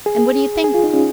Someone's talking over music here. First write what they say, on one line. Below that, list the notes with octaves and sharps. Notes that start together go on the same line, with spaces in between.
And what do you think?
G#4
G#4
F4
D#4
C#4